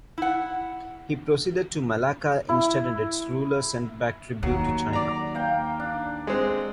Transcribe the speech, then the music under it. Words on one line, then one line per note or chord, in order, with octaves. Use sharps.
He proceeded to Malacca instead and its ruler sent back tribute to China.
E4 F#5
E4
D#2 F#3
D5 A#5
A#3 G5
D4
G#3 C4